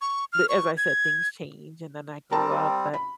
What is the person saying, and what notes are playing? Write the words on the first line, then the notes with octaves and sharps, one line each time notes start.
But, as I said, "Things change, and then I grew up." But
C#6
F6
C#6
G#6
G3 C4 A#4 A5
B5